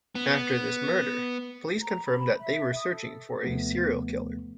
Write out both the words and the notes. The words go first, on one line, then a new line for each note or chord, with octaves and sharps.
After this murder police confirmed that they were searching for a serial killer.
B3
A#5
B5
E5
D#6
A4
D#2 C3 F3 A3 B3